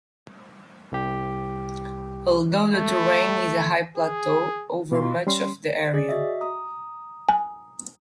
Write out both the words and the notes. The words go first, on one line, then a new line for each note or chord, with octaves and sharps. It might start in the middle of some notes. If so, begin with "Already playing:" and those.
Although the terrain is a high plateau over much of the area.
C2 G4
A3
G#4
B2 F4 F5 C6
G3 C#4 C6
G#4 D5
F#4 D#5 E5
A#5 D#6
G#5